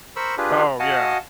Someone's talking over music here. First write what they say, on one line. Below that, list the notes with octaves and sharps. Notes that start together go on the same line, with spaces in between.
Oh, yeah.
A#4 C5 B5 C#6 E6
D4 F4 G4 G#4 B4
F#4 D#5 F5 F#5 G#5 A5